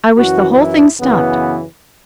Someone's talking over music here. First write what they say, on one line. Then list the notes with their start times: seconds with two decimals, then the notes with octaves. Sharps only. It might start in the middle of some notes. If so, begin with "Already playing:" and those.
I wish the whole thing stopped.
0.18 F#2 E3 F#4
0.58 E4
1.00 F#2 C#3 E3 B3